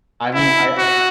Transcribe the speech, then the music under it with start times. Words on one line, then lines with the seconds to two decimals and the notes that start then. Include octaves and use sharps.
I mean, I
0.34 E4
0.78 F#4